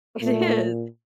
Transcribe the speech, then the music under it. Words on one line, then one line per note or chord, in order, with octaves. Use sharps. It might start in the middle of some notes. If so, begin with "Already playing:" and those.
It is.
A#2 A3